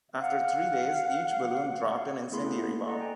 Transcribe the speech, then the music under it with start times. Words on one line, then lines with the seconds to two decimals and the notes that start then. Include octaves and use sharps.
After three days, each balloon dropped an incendiary bomb.
0.20 F5 F#5
2.32 A3 B3 E4 G#4 B5 C6
2.44 B3 C#4 E4 A4
2.63 A#3
2.86 A4 D5 D#5 F#5 A#5
3.00 G5 G#5 A#5